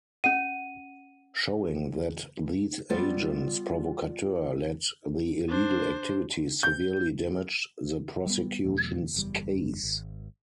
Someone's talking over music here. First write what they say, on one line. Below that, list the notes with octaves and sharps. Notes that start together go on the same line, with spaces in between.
Showing that these agents provocateur led the illegal activities severely damaged the prosecution's case.
C#4 F#5 D#7
G3 B3 F4 A4 C5 D5
D4 C5
G6
G3 B3
E2 B2 F#3 A3
F#1 E2 G3
G#1